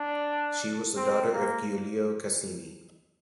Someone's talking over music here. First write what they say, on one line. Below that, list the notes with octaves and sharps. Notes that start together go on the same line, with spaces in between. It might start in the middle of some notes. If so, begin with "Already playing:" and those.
She was the daughter of Giulio Caccini.
Already playing: D4
C4
A#3